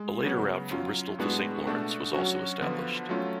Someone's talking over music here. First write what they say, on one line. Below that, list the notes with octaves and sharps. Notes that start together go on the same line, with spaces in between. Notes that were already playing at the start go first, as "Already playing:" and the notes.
A later route from Bristol to Saint Lawrence was also established.
Already playing: G#3
C#3 F#3 B3
F#3 C#4 F4
A2 G#3 B3 D4 F#4
B2 A3 D4 F#4
F#3 C#4 F#4
D3 F3 B3 F4
F#3 A3 C#4 F4